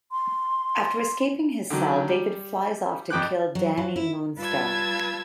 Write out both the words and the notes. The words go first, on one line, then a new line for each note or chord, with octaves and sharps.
After escaping his cell, David flies off to kill Dani Moonstar.
C6
D3 D#3 F#3
G3
G#1 F2 G5 D6 F#6
F#3
F#3
E4
G3 F4 B4 A5 E6 G#6